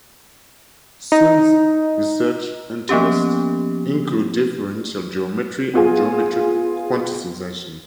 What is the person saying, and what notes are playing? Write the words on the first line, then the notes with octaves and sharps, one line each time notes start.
Simms' research interests include differential geometry and geometric quantisation.
D#4
F3 A#3 B3 C#4 G4
B3 F4 G#4